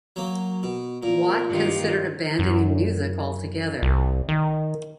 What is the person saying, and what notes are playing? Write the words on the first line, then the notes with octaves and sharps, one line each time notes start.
Watt considered abandoning music altogether.
F#3 A#3
B2
A#2 A#4
G2 D#3 F4
F#2
C2
D#3